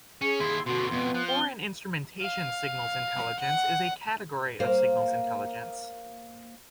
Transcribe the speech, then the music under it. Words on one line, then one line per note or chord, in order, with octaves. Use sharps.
Foreign instrumentation signals intelligence is a category of signals intelligence.
C#4 G#4 C#7
D#2 E4 C6
B2 D3 F#4 C6
F2 B2 B3
F3 F#6
C4 G7
F5
F#5
A#3 C5